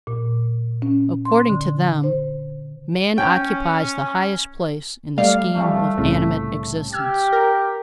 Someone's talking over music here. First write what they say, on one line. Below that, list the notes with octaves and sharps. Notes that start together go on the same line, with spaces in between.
According to them, man occupies the highest place in the scheme of animate existence.
A#2
C#4
C6
D3
C5
C#4 G5
G3 A3 D5 F5
E3 F3 G3 A3
C2 A2 C#3 F4
G4 E6 F6 G#6
A#4